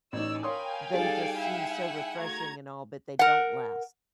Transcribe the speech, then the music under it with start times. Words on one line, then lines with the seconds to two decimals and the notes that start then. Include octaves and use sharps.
they just seem so refreshing and all, but they don't last.
0.13 A1 D#4 C#5 D5 E6
0.43 A#4 C#5 F5 G5 G#5 B5 C6 D#6
0.94 G3 D#4 G#4 A4 D5
1.38 E4 E5 F#5
2.18 D#3 A3 F#4 A#5 G#6
3.19 A#4 F#5